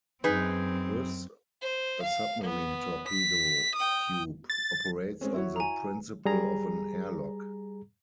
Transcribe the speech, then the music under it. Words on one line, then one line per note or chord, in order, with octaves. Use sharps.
Thus a submarine torpedo tube operates on the principle of an airlock.
F#2 C4 D#4 G#4 B4
C5
F5
B3
B6
G5 D#6
A6
G#3 C4 C#4
E4 F#4 C#5
G#5 A#5
G3 G#4 A#5